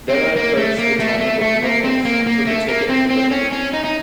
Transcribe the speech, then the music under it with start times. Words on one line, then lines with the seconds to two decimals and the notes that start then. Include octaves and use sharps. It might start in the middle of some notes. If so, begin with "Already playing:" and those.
Then I approached the tiny booking-office and took a ticket for Dumfries.
0.10 C4
0.15 A#3
0.36 A#3
0.57 A3
0.79 A#3
0.99 A3
1.20 A3
1.41 A3
1.63 A#3
1.84 C4
2.05 A#3
2.27 A#3
2.47 A3
2.68 A#3
2.90 C4
3.11 C4
3.32 C#4
3.53 C#4
3.74 D#4
3.85 D#4